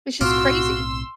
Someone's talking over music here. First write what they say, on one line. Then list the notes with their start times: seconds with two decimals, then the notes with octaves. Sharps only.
Which is crazy.
0.21 B1 A2 C4 F4 F#4 C6 D6 E6